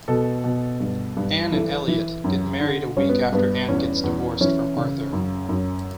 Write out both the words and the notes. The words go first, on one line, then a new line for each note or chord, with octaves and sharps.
Anne and Eliot get married a week after Anne gets divorced from Arthur.
B2 A4
B2
G2
G2
E3 A4
E3
F#2
D3
G2 C#4
B3
G2 B3
E2 C#4
E2
E3 C#4
C#3
F#2
F#2